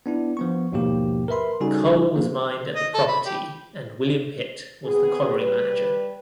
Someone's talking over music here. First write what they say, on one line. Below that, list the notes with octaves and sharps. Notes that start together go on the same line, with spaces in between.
Coal was mined at the property and William Pitt was the colliery manager.
B3 D4 E4
F3 B3 C#6
D#2 G#2 B2 F3 A#3 G4
A#4 B4 E5 B5 C6
C#3 G3 D#4 F#4 A4 G#5
F3 A#3
D#5
A4
B5
G4
B3 C4 G#4
G3 B4